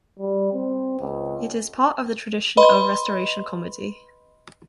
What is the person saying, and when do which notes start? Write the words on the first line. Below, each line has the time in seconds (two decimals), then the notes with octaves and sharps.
It is part of the tradition of Restoration Comedy.
0.19 G3
0.53 C4
1.00 C#2
2.57 B4 D#5 B5 C6